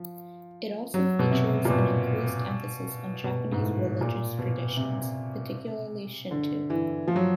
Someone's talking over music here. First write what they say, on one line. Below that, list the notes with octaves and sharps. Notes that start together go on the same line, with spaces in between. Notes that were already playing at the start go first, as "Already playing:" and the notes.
It also features an increased emphasis on Japanese religious traditions, particularly Shinto.
Already playing: F3
F#3
B2
C3
A#2
B2
B2
G#2
A2
A#2
B2
C3
D3
E3
F3
F#3